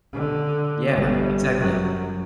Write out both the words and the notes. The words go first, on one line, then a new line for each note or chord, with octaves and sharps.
Yeah, exactly.
D3
G1 G2
F#2 F#3